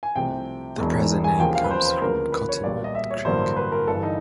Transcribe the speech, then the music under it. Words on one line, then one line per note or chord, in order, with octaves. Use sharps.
The present name comes from Cottonwood Creek.
G#5
C2 C3 F3 A3 G5
E1 E2 B2 G#3
G#5
D#2 C#3 F3 A#3 C#4 G5
F5
B4
C5
B4
D2 C#3 F3 A#3 A#4
B4
C#5
B1 A#2 G3 D5
D#5
E5
C#5
A1 G2 D3 F#3 A#3 C5
B4
A#4
G1 G2 E3 A4
D#4